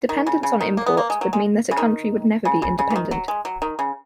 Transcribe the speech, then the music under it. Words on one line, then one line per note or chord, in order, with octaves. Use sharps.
Dependence on imports would mean that a country would never be independent.
D#3
C#3
C#3
D#3
A#3
B3
A#3
G#3
F#3
G#3
C#3
D#3
C#3
C#3
C#3
E3
D#3
F#3
G#3
F#3
D#3
C#3